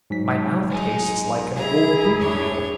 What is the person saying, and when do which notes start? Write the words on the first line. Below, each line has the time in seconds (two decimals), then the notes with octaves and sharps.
My mouth tastes like an old boot heel.
0.10 G#2 F#3 B6
0.69 G#3 D#4
1.56 E4 G#4 A#5
2.19 F2 D4 C#5